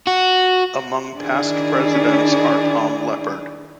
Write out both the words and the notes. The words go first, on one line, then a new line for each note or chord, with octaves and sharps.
Among past presidents are Tom Leppard.
F#4
D#3 D4 E4 G#4 D5